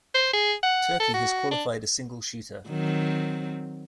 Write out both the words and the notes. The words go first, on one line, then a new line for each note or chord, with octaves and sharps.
Turkey has qualified a single shooter.
C5
G#4
F#5
A4
F#4
D4
D#3 F#3 C4